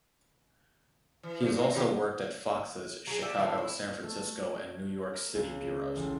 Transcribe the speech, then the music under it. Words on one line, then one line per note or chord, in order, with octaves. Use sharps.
He has also worked at Fox's Chicago, San Francisco, and New York City bureaus.
E3
E3 F3 A3
G#2
A2 D#3 G4
F#3 G#4
G4 D5 E5 F#5
A2 E3 F3
E4
A3
A#4
C#2
A1